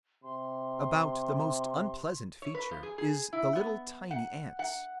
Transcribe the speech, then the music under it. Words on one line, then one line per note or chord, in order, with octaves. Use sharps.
About the most unpleasant feature is the little tiny ants.
C3 C6
C#5
B4
F3
G#4
G#4
E4
B3
F#5
F#5